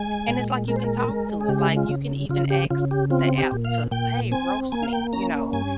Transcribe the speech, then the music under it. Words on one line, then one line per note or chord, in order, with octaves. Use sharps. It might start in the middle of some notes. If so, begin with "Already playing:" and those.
And it's like you can talk to it, like you can even ask the app to, "Hey, roast me," you know?
Already playing: G#3 G#5
A#2
G#3 A#4
C5
A#4
G#3
G#4
C#3 G4
F4
C#3
C#3 F4
G4
C#3 F4
G4
C4 F4
G4
A#2
F5
A#2 G5
C4 G#5
A#3 G#5
F5
G5
C#4 A#5
G2 G#5